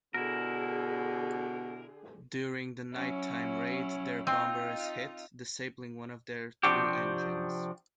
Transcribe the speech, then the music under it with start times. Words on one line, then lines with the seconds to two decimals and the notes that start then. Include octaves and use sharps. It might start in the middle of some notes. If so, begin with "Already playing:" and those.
During the nighttime raid, their bomber is hit, disabling one of their two engines.
0.14 B2 D3 E4 G4 G#4 A#4
2.93 F#3 C#4 E4
4.27 C4 D#4 F4 D#5
6.63 C3 F3 C4 D4 F#4 G4